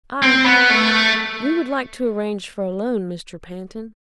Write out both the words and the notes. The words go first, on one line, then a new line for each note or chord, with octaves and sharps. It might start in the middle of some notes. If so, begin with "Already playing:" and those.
"I--we would like to arrange for a loan, Mr. Pantin."
C4
B3
A3